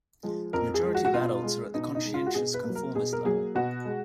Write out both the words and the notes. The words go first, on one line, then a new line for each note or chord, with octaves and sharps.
The majority of adults are at the conscientious-conformist level.
F3 G#3
F2 A#4
G#4
F3 G#3
F#4
F#4
B2 F4
G#3
B2 D#4
D#4
G#3
F4
F#4
B2 G#4
B4
F#3 A#3
A#4
B2 G#4
A#4
F#3 A#3 G#4
B2 F#4
G#3